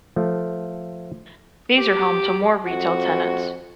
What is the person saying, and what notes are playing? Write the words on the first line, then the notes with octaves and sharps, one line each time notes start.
These are home to more retail tenants.
F3 A3
G4
F2 F#4